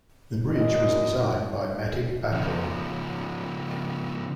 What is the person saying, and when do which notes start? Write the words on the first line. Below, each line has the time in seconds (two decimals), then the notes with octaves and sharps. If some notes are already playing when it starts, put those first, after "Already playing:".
The bridge was designed by Matic Banko.
0.50 F#2 G3 G#3 A#4 D#5
2.32 C#3 F3